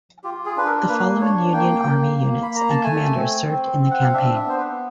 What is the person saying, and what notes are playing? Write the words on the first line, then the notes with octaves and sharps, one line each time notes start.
The following Union Army units and commanders served in the campaign.
F4 G4
G#4
D4 B4
A#4
A#3 B4
D4 C#5
A#3 G5
A#3
A#3
B5
A#3 A#5
A5
A3 G#5
C4
C4
C4
F#5
F5
D4 E5
E5
B3 C5
B4